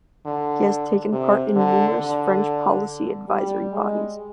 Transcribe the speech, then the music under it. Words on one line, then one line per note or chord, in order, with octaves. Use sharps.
He has taken part in numerous French policy advisory bodies.
D3
C3
D3
D3
G3
G#3